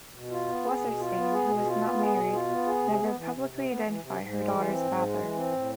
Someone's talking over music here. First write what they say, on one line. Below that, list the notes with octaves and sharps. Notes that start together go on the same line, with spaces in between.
Wasserstein, who was not married, never publicly identified her daughter's father.
B2
F4
B3
G#4
B2
F4
B3
G#4
B2
F4
B3
G#4
B2
F4
B3
G#4
C3
B3
E3
C3
C3
B3
E3
C3
G#2
G#3
E3
C4
G#2
G#3
E3
C4
A2